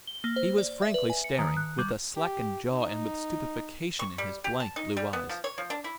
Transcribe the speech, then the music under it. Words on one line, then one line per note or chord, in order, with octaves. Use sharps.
He was frankly staring, with a slackened jaw and with stupefaction in his blank blue eyes.
G7
A#3
C5
D5
E5
B4
G#5
C#7
D#3
F#6
G3
G4
D#4
C#6
G3
G4
A5
D#4
G3
B3
F3
C#5
F3
D4
E4